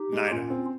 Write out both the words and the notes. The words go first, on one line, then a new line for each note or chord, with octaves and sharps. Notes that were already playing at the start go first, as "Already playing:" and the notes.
Night owl.
Already playing: D#4 G4
G#3
A#2 C#4 F4
C4